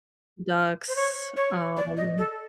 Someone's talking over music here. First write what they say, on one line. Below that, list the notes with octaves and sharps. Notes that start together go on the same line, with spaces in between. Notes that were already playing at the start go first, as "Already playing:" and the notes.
ducks, um,
C5
C#5
C#5
D5
D#5
A4